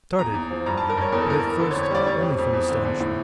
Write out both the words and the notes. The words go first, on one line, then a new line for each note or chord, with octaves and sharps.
He started, but at first only from astonishment.
E2 A#5
E2
F3
G2 A#5
A5
G2
A#4
G2 C#5
E2 A#4
A4
E2 A#4
E2
D3 A4
C#5
F2
C#5
G3 D5
F2 C#5
F2
F2
E2
D3
E2
A2